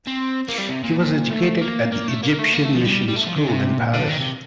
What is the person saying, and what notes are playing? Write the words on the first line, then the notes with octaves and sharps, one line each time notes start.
He was educated at the Egyptian Mission School in Paris.
C4
A#3
G3
C3
A#2
A#2
A3
A#3
A#3
A3
A#3
A3
A#3
A3
F3
G3
G3
A3
F3
D#3
C3
A#2
D3
D#3
C3